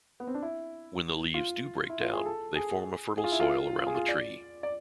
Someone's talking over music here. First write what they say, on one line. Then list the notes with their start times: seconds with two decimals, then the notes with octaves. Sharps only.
When the leaves do break down, they form a fertile soil around the tree.
0.20 B3
0.27 C4
0.34 D4
0.42 E4
1.34 F4
1.90 E4
2.01 F4
2.13 G#4
2.26 A4
2.56 G#4
3.17 G#4
3.24 F4
3.32 E4
3.40 F4
3.79 F4
3.87 G#4
3.95 F4
4.09 D5
4.63 D5